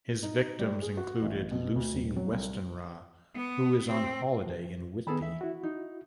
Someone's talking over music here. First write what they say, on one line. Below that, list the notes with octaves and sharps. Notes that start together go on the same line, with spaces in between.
His victims included Lucy Westenra, who is on holiday in Whitby.
D#4
G3
G#4
F#4
A1
B2
D2
D#1
F#3
C2
B3
C4
F3
D#3 B3 G#4 A4 B5
E3 E5
E4 F#4
D#4